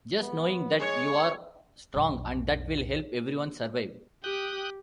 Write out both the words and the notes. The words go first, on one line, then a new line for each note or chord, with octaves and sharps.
Just knowing that you are strong and that will help everyone survive.
B3
G#3 C#5
B1 F2
G4 G5 D#6 F#6